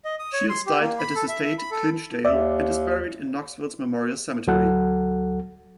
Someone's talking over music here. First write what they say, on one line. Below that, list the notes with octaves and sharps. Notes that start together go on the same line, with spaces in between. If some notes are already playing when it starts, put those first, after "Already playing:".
Shields died at his estate "Clinchdale" and is buried in Knoxville's Memorial Cemetery.
D#5
D#6
C#5
C6
G4
A#3
B5
A4
E5
E5
B5
A4
D#2 D5 E5
D2 F#3 A4 F#5